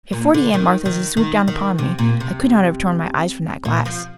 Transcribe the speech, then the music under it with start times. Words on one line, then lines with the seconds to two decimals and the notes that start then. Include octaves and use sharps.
If forty Aunt Marthas had swooped down upon me, I could not have torn my eyes from that glass.
0.13 A#2
0.34 D3
0.54 D#3
0.86 D#3
1.17 D#3
1.48 D#3
1.79 C3
1.99 A#2
2.20 C3
3.65 A#2
3.85 F3